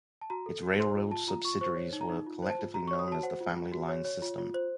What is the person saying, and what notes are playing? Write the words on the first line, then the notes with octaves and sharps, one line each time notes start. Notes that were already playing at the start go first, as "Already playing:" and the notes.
Its railroad subsidiaries were collectively known as the Family Lines System.
A5
F#4 A#5
A4
F#4
C5 C6
F4
F4 A5
F4 A#5
F4 C#6
C5 C#6
C#5
D#4
A#5
D#4
F4
C5
A5
F4
F#4 A#5
C#6
C#5
D#6
F#4 A5
C5 F#5
F4
F4
F#4
C#5
C#5
F4
F4
C5